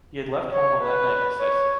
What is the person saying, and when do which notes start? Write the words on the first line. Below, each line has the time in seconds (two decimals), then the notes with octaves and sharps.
He had left home on that night precisely.
0.52 C#5
0.80 B4
1.38 C#5